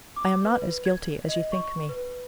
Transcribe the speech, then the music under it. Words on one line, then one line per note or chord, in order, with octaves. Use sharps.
I am not as guilty as you think me.
D6
B4
G#6
D#5
C#6
B4